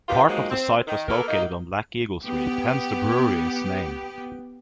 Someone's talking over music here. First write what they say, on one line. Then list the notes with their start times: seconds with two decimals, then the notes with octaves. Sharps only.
Part of the site was located on Black Eagle Street, hence the brewery's name.
0.09 C3 D#3 F4 G4 B4
0.27 D#3 F3 F#3 G#3 A#3
0.50 C4
0.87 D#3
1.08 A#3 B3 A4 A#4
1.27 F#3 A#3 D#4
2.25 B3 G4